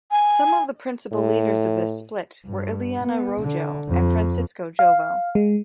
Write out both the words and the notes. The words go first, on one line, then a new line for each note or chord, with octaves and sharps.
Some of the principal leaders of this split were Ileana Rogel and Francisco Jovel.
G#5
A2
G2
B3
D3
F2
F5
G#3